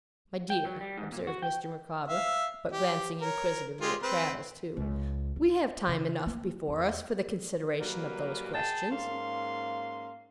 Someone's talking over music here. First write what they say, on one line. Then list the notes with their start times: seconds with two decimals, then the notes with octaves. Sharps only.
'My dear,' observed Mr. Micawber--but glancing inquisitively at Traddles, too; 'we have time enough before us, for the consideration of those questions.'
0.50 G5
0.65 F#3
0.81 G3
0.97 G#2
1.12 A#2
1.27 F#4
1.42 G5
2.08 E5 F5
2.72 G4
3.21 A#4 C#5
3.81 G#3 F4 G4
4.02 C4 B4
4.77 C#2
5.36 E4
5.87 C#3
6.26 A#3
6.68 E2
7.80 F#3 G3 A#3 A#4 B4
8.54 G#4 G5 A5
8.91 G#2 A#3 C#4 F5 C6